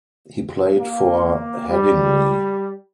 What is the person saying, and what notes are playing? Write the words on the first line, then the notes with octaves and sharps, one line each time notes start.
He played for Headingley.
A#3
G3